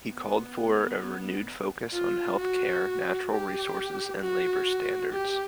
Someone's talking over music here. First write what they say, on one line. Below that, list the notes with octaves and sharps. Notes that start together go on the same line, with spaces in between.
He called for a renewed focus on health care, natural resources and labour standards.
B3
F4
F#4
G4
F#4
G4